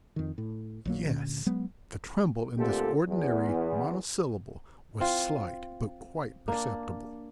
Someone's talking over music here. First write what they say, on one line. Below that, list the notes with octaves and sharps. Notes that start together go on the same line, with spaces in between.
"Yes." The tremble in this ordinary monosyllable was slight but quite perceptible.
F2 D#3
A2
A#1 F#3 A#3
D2 A#2 D3 C#4
F#3 G#3 B3
A#2 D3 A3 C4 G4 A4
E2
C4 F4
A#3 D4